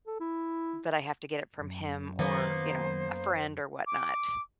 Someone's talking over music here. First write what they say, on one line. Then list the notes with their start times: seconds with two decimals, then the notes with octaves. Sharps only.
that I have to get it from him or, you know, a friend or whatnot.
0.07 A4
0.20 E4
1.58 F#2
2.19 D#3 F#3 A#3 B3 C5
3.86 D6